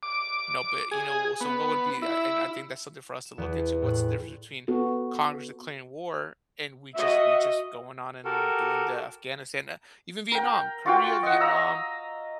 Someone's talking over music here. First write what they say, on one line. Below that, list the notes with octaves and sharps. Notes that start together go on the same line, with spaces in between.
you know, but, you know so what would be I and I think that's something for us to look into. What's the difference between Congress declaring war and we just we just going on and doing the Afghanistan ah, even Vietnam, Korea, Vietnam,
D6
G#4
B3
E4
E7
E2 F#6
A2 F#6
B3 F#4 A4
F#4 D#5 E5
F#4 G4 A4 A#4
A#4 G5
F4 F#4 F5 G5
D#5 F#5
D#5 F5 A#5 E6